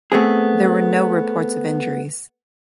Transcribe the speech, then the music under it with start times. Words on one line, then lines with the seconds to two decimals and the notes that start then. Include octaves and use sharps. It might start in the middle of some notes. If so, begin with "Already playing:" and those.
There were no reports of injuries.
0.12 A3 B3 C4 G#4